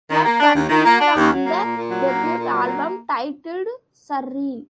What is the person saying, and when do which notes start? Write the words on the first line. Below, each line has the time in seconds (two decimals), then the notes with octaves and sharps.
Work continued on the debut album, titled "Surreal".
0.10 D#3
0.24 A#3
0.40 D4
0.55 D#2
0.69 D#3
0.85 A#3
1.00 D4
1.16 D#2
1.31 F#3
1.45 A#3
1.61 A#2
1.76 A#2
1.91 F#3
2.06 A#3
2.21 A#2
2.37 A#2
2.52 F#3
2.66 A#3